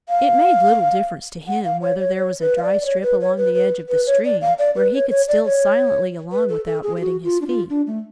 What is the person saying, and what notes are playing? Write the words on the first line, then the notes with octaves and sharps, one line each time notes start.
It made little difference to him whether there was a dry strip along the edge of the stream, where he could steal silently along without wetting his feet.
F5
F#5
F5
C#5
C#5
C#5
B4
F5
D5
D5
C#5
B4
C#5
B4
B4
B4
C#5
D5
F5
D5
B4
C#5
C#5
D5
C#5
B4
A4
A4
G#4
G#4
F#4
F4
D4
F4
D4
A3